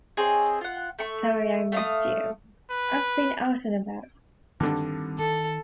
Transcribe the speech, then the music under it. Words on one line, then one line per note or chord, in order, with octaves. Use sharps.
Sorry I missed you – I've been out and about.
C4 G#4 C#5 D#5
F4 F#5
A3 C#6
A3 F5 D#6
B4
G2 D3 D#3 G3 C4
D#3 A4